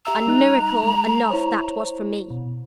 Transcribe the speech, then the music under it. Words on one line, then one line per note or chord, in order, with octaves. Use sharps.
And miracle enough that was for me.
G4 E5 A#5 E6
G3 D#4 F#6
G#3
E4 C5 C#5
B2